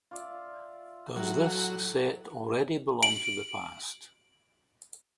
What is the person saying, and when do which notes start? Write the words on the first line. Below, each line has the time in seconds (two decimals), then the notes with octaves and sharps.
Does this set already belong to the past?
0.11 F4 D5 E5
1.16 A2 F#3
3.03 D7 F#7